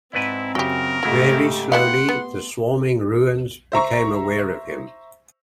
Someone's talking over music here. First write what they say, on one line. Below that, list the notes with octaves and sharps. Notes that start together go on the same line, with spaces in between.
Very slowly the swarming ruins became aware of him.
G#2 C4 E4 B4 D5
F#2 C#3 F#4 G4 A#4
G#2 C#3 A3 E4 F#4 G4
B3 E4 G4 F5 F#5 C6
B3
C5 E5 A#5 C#6